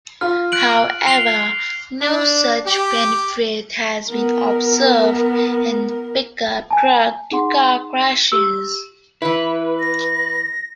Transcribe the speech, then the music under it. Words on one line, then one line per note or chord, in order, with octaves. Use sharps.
However, no such benefit has been observed in pickup truck to car crashes.
F4 F6
F#6 D7 F#7
C7 F7 G7
D4
G4
B3 A#4
G#5 A5
D#4 G#4 F#5 C6
G4 E6
E3 E4 B4
A#6